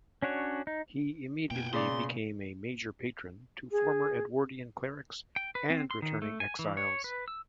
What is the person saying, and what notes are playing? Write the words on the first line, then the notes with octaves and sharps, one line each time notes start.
He immediately became a major patron to former Edwardian clerics and returning exiles.
C#4 D4 F#4 C#5
D#4
B2 A#3 G5 G#5
C#3 D5 C6 D6
G#4
G5
B4
C4
C6
D#3
A3
G#5
E3
C#5
B4
E6